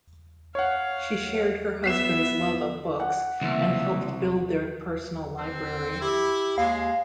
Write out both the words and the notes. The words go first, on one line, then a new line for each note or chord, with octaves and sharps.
She shared her husband's love of books and helped build their personal library.
C#5 F5 F#5
B3 E5 B6 C7 E7
F#5
C2 C#3 E3 A#3 E5
C4
E4 G4
D#2 G#3 F5